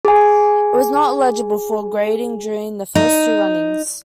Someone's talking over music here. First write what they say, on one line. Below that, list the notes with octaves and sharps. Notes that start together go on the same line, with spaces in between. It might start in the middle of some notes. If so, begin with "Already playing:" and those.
It was not eligible for grading during the first two runnings.
G#4 G#5
D#4